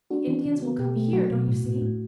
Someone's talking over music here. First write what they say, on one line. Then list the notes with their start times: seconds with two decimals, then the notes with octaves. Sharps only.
The Indians will come HERE, don't you see?
0.10 D4 F#4
0.27 E3
0.45 C#3
0.62 B3
0.79 B2 G4
0.96 A3
1.13 F#3 F#4
1.30 B2
1.48 A2
1.64 A2
1.82 A2